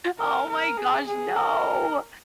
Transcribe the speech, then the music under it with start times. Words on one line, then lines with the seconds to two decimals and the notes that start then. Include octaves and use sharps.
Oh, my gosh, no,
0.19 A#4
0.49 A#4
0.78 G#4
1.07 G#4
1.36 A#4